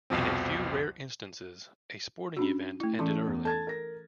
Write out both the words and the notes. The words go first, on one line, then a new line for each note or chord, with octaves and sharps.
In a few rare instances a sporting event ended early.
C2 F2 B2 F3 C4
C#4 D4 F#4
A3 E4
E3 A3 C#4 C6
E2
A4 A5 G#6 A6
A#4 A#6